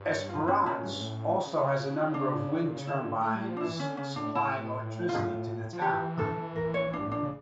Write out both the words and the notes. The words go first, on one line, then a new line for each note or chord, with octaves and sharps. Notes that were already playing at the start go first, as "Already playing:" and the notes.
Esperance also has a number of wind turbines supplying electricity to the town.
Already playing: G2
C#5
F4
C#4
A#2 C#4
A2
G2
A2
C#3
D4
A#2
C#3
D3 E4
A3
G3
F3
D4
E3 E4
D3 C#4
C#3 C#4
A2 D4
A2 E4
F4
F3
E3 G4
A4
A#4
C#5
D4
G2
A2
A#2 D4
C#3